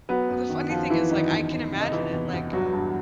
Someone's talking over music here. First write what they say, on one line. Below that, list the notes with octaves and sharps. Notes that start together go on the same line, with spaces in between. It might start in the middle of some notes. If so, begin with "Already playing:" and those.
the funny thing is, like, I can imagine it, like,
F#3 B3 B4
F#2
D#3
F#2 F3 F4
D#3 E3 E4
F#2 D#3 D#4
E2
E2
C3
D#4
E3 F3 E4
E2
E2
G2 F#3 F#4
G2